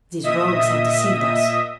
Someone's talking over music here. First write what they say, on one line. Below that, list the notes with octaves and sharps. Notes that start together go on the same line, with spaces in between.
'These rogues have deceived us.
A#2 D#5 E5 D#6